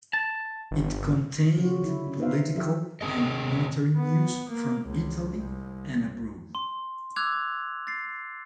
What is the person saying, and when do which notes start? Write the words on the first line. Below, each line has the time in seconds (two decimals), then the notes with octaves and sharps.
It contained political and military news from Italy and abroad.
0.13 A5
0.71 G1
1.57 C#3 F#3 F4 F#4
1.83 D3 E4
2.07 C#4
2.19 D#4 B4 C5 E5 F5
2.54 F3 F#3 F4 G4 A4 E5
3.01 C3 C4 G#4 D#5
3.96 B3
4.49 A#3
4.86 C#2
5.38 C2
6.55 C6
7.16 D6 E6 F#6 G#6 F7
7.87 A6 C7